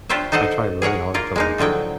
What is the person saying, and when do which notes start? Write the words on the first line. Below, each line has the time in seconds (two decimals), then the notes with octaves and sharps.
I tried really hard to, like
0.09 D4 F4 G4 C5 C#5 E5
0.32 D#4 A4 C5 D#5 F#5
0.82 G#4 A#4 C#5 F#5
1.14 A#3 F4 A#4
1.36 G#3 A#3 D#4
1.58 A2 D3 F3 F#3 G5